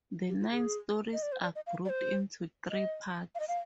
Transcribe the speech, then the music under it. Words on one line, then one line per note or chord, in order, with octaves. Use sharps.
The nine stories are grouped into three parts.
G4
F4
G#4
D#5
D5
C5
D5
D#5
F5
D5
C5
D#5
F5
D#5
F5